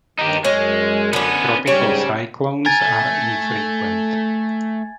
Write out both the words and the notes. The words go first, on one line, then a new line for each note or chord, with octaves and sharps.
Tropical cyclones are infrequent.
G2 D#3 D#4 G4
F#2 G#3 C#4
D3 B3 C#4 D4
G#2 C#3 G3 G4 C#5
A#4 G#5 G#6 A6
A3